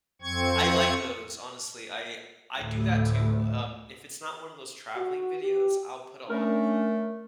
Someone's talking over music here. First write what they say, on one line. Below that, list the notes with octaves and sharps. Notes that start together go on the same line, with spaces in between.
I like those, honestly. I I do that, too, um, if it's not one of those traveling videos, I'll put on
F2 C4 C#6 G#6
D2 A2
F#4
G4
A3 C#4 D4 A#4